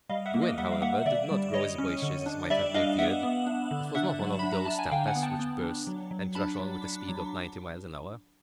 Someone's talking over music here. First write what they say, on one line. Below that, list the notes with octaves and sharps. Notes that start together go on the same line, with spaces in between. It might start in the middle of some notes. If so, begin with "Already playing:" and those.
The wind, however, did not grow as boisterous as might have been feared; it was not one of those tempests which burst, and rush on with a speed of ninety miles an hour.
G3 D#5 F5
E5 F#5
A#3
D#5 F5
G3 E5 F#5
F5
A#3 E5 F#5
D3 D5 E5
G3
G3 C#5 D#5
C#4
D3
D4
G3 D5 E5
D4 D#5 F5
B3 E5 F#5
B3
D4
D3
D4 E5 F#5
F#3
D4 B5
A#5
D4 A5
G#5
D3 F5 G5
F#5 G#5
B3
G5 A5
B3
D4
F#3
F#3
D4 A5 B5
F#3
D4
F#3